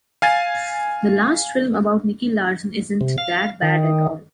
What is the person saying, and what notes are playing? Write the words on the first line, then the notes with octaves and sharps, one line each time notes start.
The last film about Nicky Larson isn’t that bad at all.
F5 G#5 A6
C3
F5
D#3